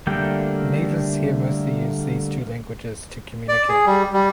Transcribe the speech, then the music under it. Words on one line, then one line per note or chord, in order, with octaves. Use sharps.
The natives here mostly used these two languages to communicate.
D3 G3 A3 A#3 G5
D5
G#4
G3
G3